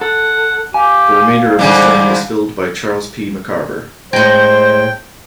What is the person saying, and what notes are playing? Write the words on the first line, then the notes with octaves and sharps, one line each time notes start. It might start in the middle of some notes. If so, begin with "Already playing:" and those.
The remainder of his term was filled by Charles P. McCarver.
A4 F#5
G4 F5 G#5
G#2 D3 E3 G3 G#3 D5 G#5
A2 G#3 C5 G5